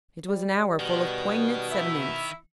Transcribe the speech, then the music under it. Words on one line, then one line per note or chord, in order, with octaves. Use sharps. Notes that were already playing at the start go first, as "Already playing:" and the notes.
It was an hour full of poignant sentiments.
G3
B2 D#3
E4 E5